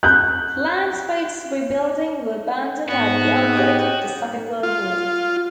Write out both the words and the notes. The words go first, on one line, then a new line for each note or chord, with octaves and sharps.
Plans for its rebuilding were abandoned at the outbreak of the Second World War.
F#6 G6
G#2 B3 F#4
G4 D#5 D#6
F4